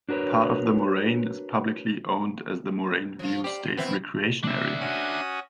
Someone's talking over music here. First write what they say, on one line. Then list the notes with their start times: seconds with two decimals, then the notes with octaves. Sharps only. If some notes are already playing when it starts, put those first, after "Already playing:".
Part of the moraine is publicly owned as the Moraine View State Recreation Area.
0.09 D4 F#4 A#4 B4 C#5
3.19 F3 F4
3.44 G4 C5 D5
3.77 B2 B3 C4 E4 B4
4.43 D4 E5
4.80 C#4 F#4 D#6